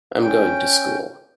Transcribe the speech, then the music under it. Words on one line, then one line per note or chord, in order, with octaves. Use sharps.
I'm going to school.
C#4 G5